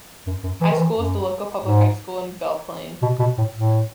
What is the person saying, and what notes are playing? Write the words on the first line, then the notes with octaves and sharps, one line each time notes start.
High School is the local public high school in Belle Plaine.
F#2
F#2
E3
D#3
E3
F#2
G#2
B2
B2
A2
A2